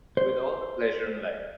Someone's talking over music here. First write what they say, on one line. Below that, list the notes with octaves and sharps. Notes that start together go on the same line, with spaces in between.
With all the pleasure in life.
C5